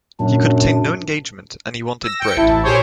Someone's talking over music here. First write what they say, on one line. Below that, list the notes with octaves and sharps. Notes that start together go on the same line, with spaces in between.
He could obtain no engagement, and he wanted bread.
F#2 A#2 D4
E6 A#6
G5 C#7
A1 E4 A5
A#2 G4 G#4 C5 C#5